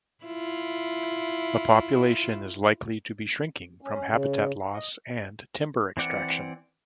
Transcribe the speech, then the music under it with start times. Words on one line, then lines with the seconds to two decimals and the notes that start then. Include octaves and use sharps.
The population is likely to be shrinking from habitat loss and timber extraction.
0.25 E4 F4
3.83 C#4
4.09 C#3
4.73 D#5
5.97 E3 C4 D5 F#5